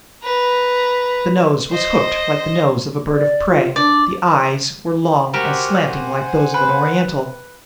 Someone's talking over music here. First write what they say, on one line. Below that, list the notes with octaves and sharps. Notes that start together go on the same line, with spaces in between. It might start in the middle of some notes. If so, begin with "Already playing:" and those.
The nose was hooked like the nose of a bird of prey; the eyes were long and slanting like those of an Oriental.
B4 A#5
C5 D#5
D5
F4
D4 D5
F#4 G4 A#4 C5 F#5 G#5
B4